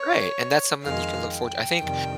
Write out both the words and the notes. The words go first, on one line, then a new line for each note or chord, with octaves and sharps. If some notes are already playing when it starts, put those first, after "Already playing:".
Great, and that's something that you can look forward to I think
Already playing: C#5
F2 D#3 G#3 F5
G5
F2 C3 D#3 G3